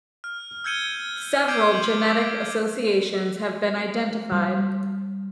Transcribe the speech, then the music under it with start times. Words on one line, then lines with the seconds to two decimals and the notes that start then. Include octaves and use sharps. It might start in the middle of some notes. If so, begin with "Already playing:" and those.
Several genetic associations have been identified.
0.24 F6
0.64 E6 G6 G#6 C#7 D#7 G7
1.48 D6 E6 G6 G#6 C7 D7
1.73 F#7
2.07 D6
4.32 G3